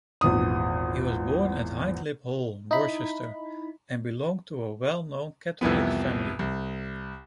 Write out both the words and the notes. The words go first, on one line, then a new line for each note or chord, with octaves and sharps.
He was born at Hindlip Hall, Worcestershire, and belonged to a well-known Catholic family.
G#1 E2 A#2 D#6
D#4 E4 B5
C2 F2 E3 B3
C2